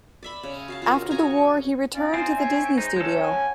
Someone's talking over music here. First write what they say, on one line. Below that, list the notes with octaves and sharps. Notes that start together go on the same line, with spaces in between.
After the war, he returned to the Disney Studio.
D5 E5 B5
C#3
F#4 F5 A5
F4 F#4 A#4
F#4 G#4 G#5 A#5
C#6
C#4 D#4 F4 D5
C4 G#5
C#5 E5
G#3 D#4 C5
F#3 G#3 C#4 A4
G#5